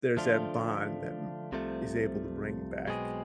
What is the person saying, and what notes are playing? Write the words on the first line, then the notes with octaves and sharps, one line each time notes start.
there's that bond that, m is able to bring back
D3 F3 A3 D4 F4
C2 C3 F3 A3
B1 B2 G#3 C4 G#4